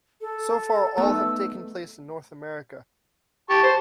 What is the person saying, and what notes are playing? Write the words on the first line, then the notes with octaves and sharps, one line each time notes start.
So far all have taken place in North America.
A4
A3 B3 D#4 E6
G4 A5 C#6
C5